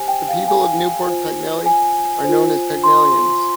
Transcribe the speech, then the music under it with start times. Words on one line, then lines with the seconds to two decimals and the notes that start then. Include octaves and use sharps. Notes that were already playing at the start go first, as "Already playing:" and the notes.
The people of Newport Pagnell are known as Pagnellions.
Already playing: G4 C5 G#5
0.08 G5
0.28 F5
0.48 G#5
1.06 F4 C5
1.66 G#5
2.24 F4 C5
2.84 C6